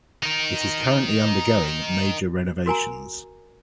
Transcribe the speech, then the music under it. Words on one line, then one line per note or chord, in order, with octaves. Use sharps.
It is currently undergoing major renovations.
D#4 A#4
F#4 A#4 G#5 A#5